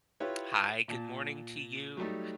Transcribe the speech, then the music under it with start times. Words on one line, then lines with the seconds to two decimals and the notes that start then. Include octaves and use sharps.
Hi, good morning to you.
0.20 E4 F4 G4 B4 C#5
0.88 A#2 A5
1.97 F#3 G3 A3 D#4